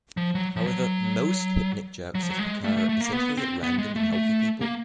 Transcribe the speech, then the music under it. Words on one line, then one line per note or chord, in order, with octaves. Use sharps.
However, most hypnic jerks occur essentially at random in healthy people.
F3
F#3
F3
F#3
F#3
F3
F#3
G#3
A3
A3
A3
A#3
B3
C4
B3
G#3
A3
A3
A#3